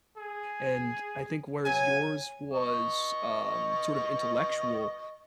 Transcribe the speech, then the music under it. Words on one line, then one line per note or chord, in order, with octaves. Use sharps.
and I think whereas yours was, um, sort of intellectual,
G#4
C#3 F#3 B3 G#5
D#5 C#6